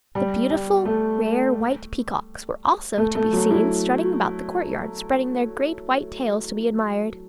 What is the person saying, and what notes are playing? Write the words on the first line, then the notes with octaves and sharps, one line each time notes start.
The beautiful, rare, white peacocks were also to be seen strutting about the courtyard, spreading their great white tails to be admired.
G3
G3
A3
A3
A3
F#3
E4